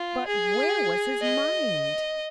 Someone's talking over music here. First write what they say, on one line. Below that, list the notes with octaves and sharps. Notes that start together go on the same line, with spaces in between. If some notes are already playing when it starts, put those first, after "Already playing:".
But where was his mind?
Already playing: F4
G#4
D#5